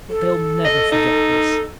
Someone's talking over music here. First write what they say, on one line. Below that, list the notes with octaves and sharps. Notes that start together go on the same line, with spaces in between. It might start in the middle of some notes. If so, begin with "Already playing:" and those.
But they'll never forget this.
A4
D#5
D#4